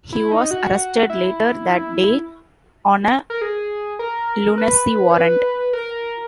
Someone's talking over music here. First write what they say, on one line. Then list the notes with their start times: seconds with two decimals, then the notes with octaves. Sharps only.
He was arrested later that day on a lunacy warrant.
0.13 E4
0.32 D#4
0.51 F#4
1.10 E4
3.30 A#4
3.42 G#4
3.99 A#4
4.58 B4
5.10 C#5
5.16 B4
5.73 A#4